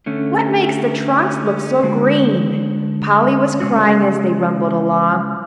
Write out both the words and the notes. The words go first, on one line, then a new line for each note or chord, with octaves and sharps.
"What makes the trunks look so green?" Polly was crying as they rumbled along.
D3 A3 C#4
D3 G#3 D4 F#4
C#3 G#3 C#4 F#4